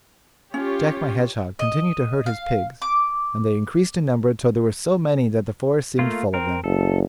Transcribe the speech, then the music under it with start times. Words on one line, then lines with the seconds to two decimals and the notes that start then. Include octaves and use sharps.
Jack my Hedgehog continued to herd his pigs, and they increased in number till there were so many that the forest seemed full of them.
0.54 C#4 F4 G4 C#5
1.59 D#5
2.26 F5
2.82 D6
5.99 A3 A#3 F4
6.34 C4 A#4
6.64 F#1 A4